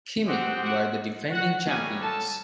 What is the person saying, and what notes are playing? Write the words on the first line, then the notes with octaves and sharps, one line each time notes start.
Khimik were the defending champions.
G#3 C4 D#4 F#4 G4 F#5
F#4 F#5
F#4 F#5
G3 A#3 C#4 F#4 G#4 G#5
A4 A5